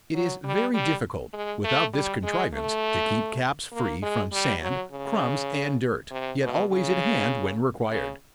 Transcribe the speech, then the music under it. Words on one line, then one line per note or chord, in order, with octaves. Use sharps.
It is very Difficult, without this contrivance, to keep caps free from sand, crumbs, and dirt, yet always at hand when required.
F#3
G3
G3
G#3
A3
G3
G#3
A3
A#3
G#3
G3
F#3
C#3
C3
B2
C#3
C#3